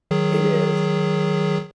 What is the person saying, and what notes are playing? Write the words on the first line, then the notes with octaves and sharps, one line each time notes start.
It is.
D#3 F#3 G#4